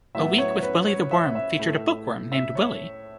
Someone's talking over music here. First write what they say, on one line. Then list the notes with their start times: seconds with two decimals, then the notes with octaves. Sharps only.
"A Week with Willi the Worm" featured a bookworm named Willi.
0.15 A2 F#3 B3 E5
0.38 C#5
0.63 B4
0.86 C#5
1.11 E5
1.35 E5
1.59 A2 A3
2.32 E5
2.55 C#5